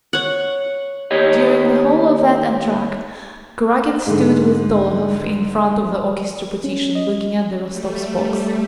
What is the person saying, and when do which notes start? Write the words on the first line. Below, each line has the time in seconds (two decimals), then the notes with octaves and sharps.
During the whole of that entr'acte Kuragin stood with Dolokhov in front of the orchestra partition, looking at the Rostovs' box.
0.13 C#5 F#5
1.11 D#2 G4 C#5 D#5
4.07 G#2 D3
6.64 C#4
6.95 D#5
7.68 G3 A3